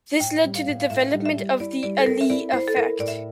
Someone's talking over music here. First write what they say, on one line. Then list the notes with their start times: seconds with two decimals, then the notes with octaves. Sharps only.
This led to the development of The Allee effect.
0.20 A2 G5
0.44 G3
0.55 F5
0.67 A2
0.80 F5
0.90 A2 E5
1.13 G3
1.26 E5
1.36 G3
1.60 E4 D5
1.83 G3 D5
1.98 A4
2.06 C4 A#4
2.21 E5
2.30 E4 D5
2.53 E4 C5
2.68 A4
2.76 E4 A#4
2.99 A2 D5
3.08 E5